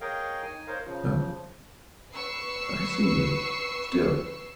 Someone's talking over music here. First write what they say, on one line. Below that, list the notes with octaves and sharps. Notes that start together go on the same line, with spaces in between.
No--I see you--still.
G#4 A#4 C#5 D#5 F5 G5
D#4 G#5
A#4 C5 C#5 D#5 F5
C#3 F3
B4 C#6 E6 C7